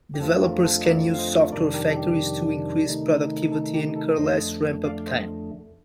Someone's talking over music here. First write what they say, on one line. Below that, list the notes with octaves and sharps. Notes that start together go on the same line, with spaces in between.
Developers can use software factories to increase productivity and incur less ramp-up time.
G4
F2 D3 A3 C4 F4 A4
G4 A#4
A4 C5
D#5
A#4 D5
F5
C5 D#5
F2 C3 D#3 G3 D4 A#4 D5
G4 A#4
A4
G4
C3 D#3 A3 D#4
A4
G4
A4
F2 D3 A3 C5 D#5
D5 F5
C5 D#5